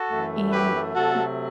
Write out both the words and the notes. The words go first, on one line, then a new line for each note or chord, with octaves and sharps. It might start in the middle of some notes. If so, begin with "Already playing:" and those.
And m
Already playing: F#4 A4
F#2 E3 A3
G4 B4
C3 F#3 A3 F#4 A4